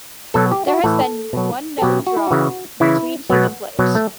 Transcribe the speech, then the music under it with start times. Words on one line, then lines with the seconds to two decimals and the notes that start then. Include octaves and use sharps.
There has been one known draw between human players.
0.34 B2 F#3 A4
0.52 G4
0.67 F#4
0.84 A2 E3 A4
1.33 B2 F#3
1.78 A4
1.82 B2 F#3 G4
2.07 F#4
2.17 E4
2.27 C#3 E3 F#4
2.80 C#3 E3 E4
3.30 B2 F#3 B3
3.79 B2 F#3
3.95 A3